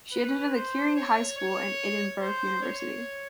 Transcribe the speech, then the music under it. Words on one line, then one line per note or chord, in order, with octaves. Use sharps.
She attended Currie High School and Edinburgh University.
B4
C5
C#5
C#5
C5
C#5